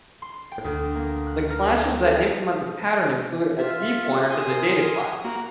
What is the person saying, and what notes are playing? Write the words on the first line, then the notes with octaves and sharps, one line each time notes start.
The classes that implement the pattern include a "d-pointer" to the data class.
C6
G5
D2
A#3
F#6
A#4
G5
A4
F4 E5
G#5 C6 D#6
A#4
A#3 F#4 A#5